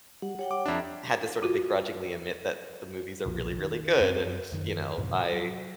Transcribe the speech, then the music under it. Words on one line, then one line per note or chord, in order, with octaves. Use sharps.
had to sort of begrudgingly admit that the movies are really, really good. And, you know, I
G3 F#5
G4 C#5 F#5 G5
D6
F2 D4 E5 A#5
F4 F#4
F1 B1 A#2 F3
D#3
F#2 C4
F#2 D#3
F#2 A2 C3 E3
F#3